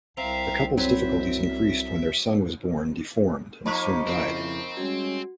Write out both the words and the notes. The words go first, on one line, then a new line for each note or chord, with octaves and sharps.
The couple's difficulties increased when their son was born deformed and soon died.
C2 C4 E5 F5 A#5
F#3 C4 B4 C5 E5
F3 A#3 D#4 B5 C#6 B6
F2 C#3 C4 E4
G3 G#3 C#4 F#4